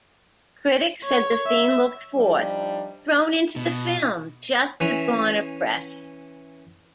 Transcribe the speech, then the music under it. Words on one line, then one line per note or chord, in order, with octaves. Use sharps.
Critics said the scene looked forced, thrown into the film just to garner press.
C#5
E5
F3 G3 D4 D#4
B2
E3 C#4 E4